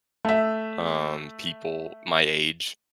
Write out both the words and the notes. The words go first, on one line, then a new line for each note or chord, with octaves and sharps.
um, people my age,
A3 E5